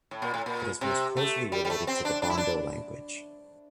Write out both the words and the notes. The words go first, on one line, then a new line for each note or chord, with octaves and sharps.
It is most closely related to the Bondo language.
A2
A#2
A2
A#2
C3
A3
G3
G3
A3
C4
D4
D4
E4
D4